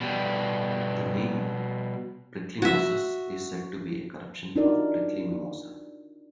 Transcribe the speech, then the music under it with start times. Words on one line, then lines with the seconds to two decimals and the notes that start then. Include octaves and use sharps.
The name "prickly moses" is said to be a corruption of "prickly mimosa".
0.01 B2 G3
2.62 F#4 E5
4.56 D4 D#4 F4 F#4 A#4 D5